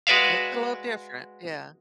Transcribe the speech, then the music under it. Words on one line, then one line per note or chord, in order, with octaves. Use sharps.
It's a little different, yeah.
G#3 F#4 B4 D5 E5 F5